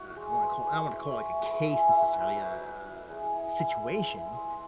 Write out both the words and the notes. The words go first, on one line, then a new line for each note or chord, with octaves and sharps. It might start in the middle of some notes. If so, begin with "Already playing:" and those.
uh, I don't wanna call I don't wanna call it, like, a case necessarily a situation,
Already playing: E4 F#4
G#3 G#4
G#3 B4
E4 B4
E4 C#5
E5
G#3
G#3
B5
E4 G#5
E4 E5
E4 B4
F#3 B4
F#3
E4
G#3 G#4
E4
E4
G#3
E4
G#3